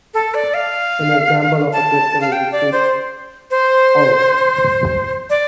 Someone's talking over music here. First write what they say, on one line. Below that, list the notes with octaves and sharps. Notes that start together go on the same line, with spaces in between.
An example of a crystal is the sheaf "O".
A4
D5
F5
A5
F5
G5
D5
C5
C5
D5